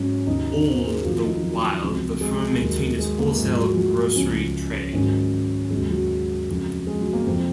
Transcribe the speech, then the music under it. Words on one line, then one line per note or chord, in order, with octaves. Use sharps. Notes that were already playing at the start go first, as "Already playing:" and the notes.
All the while the firm maintained its wholesale grocery trade.
Already playing: G#2 F#3 C#4
D#2 C#3 F#3 D#4
C5
A#4
G#4
F#4
F2 D#3 F#3 F4
D#4
F#3
C#2 C3 F3
G#3
D#2 D#3 F#3
G#3
A#3
G#2 F3 G#3
F#3
F#3
C#2 C#3 F3 C#4
G#2 D#3 F#3 C#4
D#2 C#3 F#3 G#3
F#3
G#3
F2 C#3 F#3
G#3
F#3
A#3
F2 C3 F3 C4